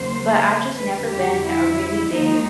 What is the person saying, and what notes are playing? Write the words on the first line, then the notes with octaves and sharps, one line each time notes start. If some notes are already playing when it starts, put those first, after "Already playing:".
But I've just never been a really big
Already playing: D#2 C#3 F#3 A#3 C5
F2 D3 G3 B4
G4
E4
D#2 D#3 G#3 D#4